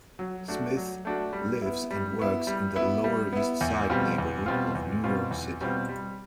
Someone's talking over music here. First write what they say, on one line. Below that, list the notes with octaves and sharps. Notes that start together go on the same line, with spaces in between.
Smith lives and works in the Lower East Side neighborhood of New York City.
F#3
A3 D4 F#4
F#3
A3 D4 F#4
G3
B3 E4
G3
B3 E4
G3
B3 E4
G3
B3 E4
E2
B2 G3 C4 F4
E2
B2 G3 C4 F4
E2
B2 G3 C4 F4
E2
B2 G3 C4 F4
G3